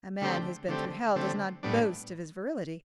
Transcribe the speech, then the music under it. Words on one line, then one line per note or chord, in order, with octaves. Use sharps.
A man who has been through hell does not boast of his virility.
D3 A3 C4 G4
D3 A3 C4 G4
D3 A3 C4 G4
A2 G3 B3 D4